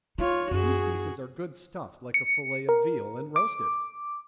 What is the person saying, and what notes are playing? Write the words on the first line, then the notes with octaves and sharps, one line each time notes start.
These pieces are good stuffed like a fillet of veal, and roasted.
D#4 F4 C#5
F#2 F#4 G#4
C#7
A#4
D6